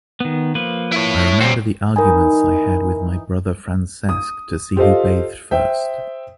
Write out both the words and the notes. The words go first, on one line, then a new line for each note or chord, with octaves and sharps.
I remember the arguments I had with my brother Francesc to see who bathed first.
D#3 B3
F3 A#3 B4
E4 C#5
A#2 G3 C4 C#4 F#4
E3 D#4 A#4 G#5
D#6
F4 G4 A4 C5 D#5 F5
C5 E5 G5